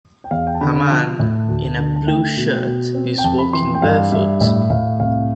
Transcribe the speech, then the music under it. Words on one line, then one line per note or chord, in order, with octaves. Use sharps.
A man in a blue shirt is walking barefoot.
G5
E2 F5
G5
A5
D3 B5
B5
F3 A5
A2
D2
D3
A5
A3 G5
B2
B2
C4
G5
F2 A5
B5
E3 C6
G5
G2 F5
G2 E5
A2 E5
A2 F5
C2 F5